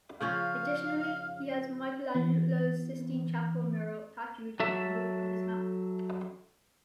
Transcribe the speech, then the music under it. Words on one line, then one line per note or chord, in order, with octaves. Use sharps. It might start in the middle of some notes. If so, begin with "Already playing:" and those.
Additionally, he has Michelangelo's Sistine Chapel mural tattooed on the roof of his mouth.
C#3 F3 C#4 F5
E3 B3
F#3 A4 E5